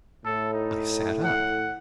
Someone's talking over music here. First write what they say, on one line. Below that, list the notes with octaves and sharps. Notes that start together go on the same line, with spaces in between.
I sat up.
A2 A4
D#4
F#5